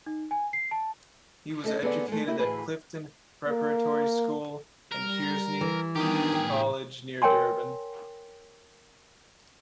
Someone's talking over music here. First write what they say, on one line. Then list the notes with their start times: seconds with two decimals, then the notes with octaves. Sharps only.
He was educated at Clifton Preparatory School and Kearsney College near Durban.
0.06 D#4
0.31 G#5
0.53 C7
0.71 A5
1.64 A3 C#4 A4 D#5
1.82 D3 B3 C4 G#4 D5
2.08 G#3 A3
2.26 A#3 E4 G4
2.39 D2 A2 E3 G#4 B4
3.48 A#3
4.92 G3 A#4
5.61 E3
5.96 D#3 G3 B3 D4 G4 G#4
6.32 A2 G5
7.22 A#4 C#5 G5 G#5 C6